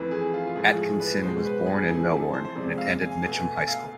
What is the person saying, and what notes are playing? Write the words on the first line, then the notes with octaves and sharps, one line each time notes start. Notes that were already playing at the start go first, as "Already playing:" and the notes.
Atkinson was born in Melbourne, and attended Mitcham High School.
Already playing: F2 E3 A3 B4
G#4
F4
F4
A2 F3 G#3 G#4
G#4
B4
B2 G#3 C5
B4
G#4
F2 E3 A3 G#4
A4
C5
C5
F2 C3 G#3 D5
F5
G#5
B2 A3 G#5
G#5
G#5
F5